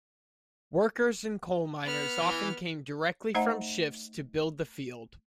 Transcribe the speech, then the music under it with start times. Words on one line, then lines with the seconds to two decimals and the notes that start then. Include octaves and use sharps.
Workers and coal miners often came directly from shifts to build the field.
1.84 B3 F6
2.22 E3
3.35 A3 D#4 C5 D#5 F#5 A#5